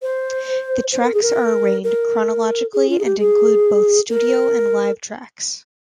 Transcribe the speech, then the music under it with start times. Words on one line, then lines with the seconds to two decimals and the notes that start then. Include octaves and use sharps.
The tracks are arranged chronologically and include both studio and live tracks.
0.02 C5
0.92 C5
1.03 A#4
1.13 G#4
1.22 A#4
1.84 A#4
2.73 G#4
2.89 F4
2.99 G#4
3.04 G4
3.18 G#4
4.09 A#4